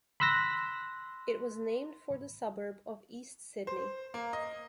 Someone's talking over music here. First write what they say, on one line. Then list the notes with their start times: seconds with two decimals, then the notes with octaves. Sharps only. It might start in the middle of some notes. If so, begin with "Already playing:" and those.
It was named for the suburb of East Sydney.
0.20 B5 C6 E6 F#6 A#6
3.67 C5
4.14 A#3
4.33 D#5